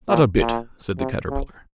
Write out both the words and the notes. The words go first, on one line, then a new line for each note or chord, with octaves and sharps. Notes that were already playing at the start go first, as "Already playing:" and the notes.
'Not a bit,' said the Caterpillar.
A#2
A#2
C3
C#3